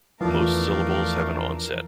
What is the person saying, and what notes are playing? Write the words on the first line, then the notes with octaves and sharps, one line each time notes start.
Most syllables have an onset.
E2 E3 F3 A3 D4 A#4 F5